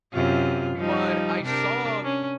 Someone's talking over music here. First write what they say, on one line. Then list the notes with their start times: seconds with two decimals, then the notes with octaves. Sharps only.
But I saw
0.13 F#2 C3 F4
0.78 F3 G3 D#4
1.43 C3 D4 A#4
2.04 C#4